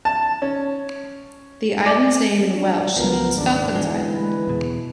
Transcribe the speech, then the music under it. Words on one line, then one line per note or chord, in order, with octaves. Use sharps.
The island's name in Welsh means "falcon's Island".
A5
C#4
D5
C#4 D4
C#2 F3 B3 A#4
G#1 D#2 C#3 D4
D3 E3 G#3
B4
E2 B2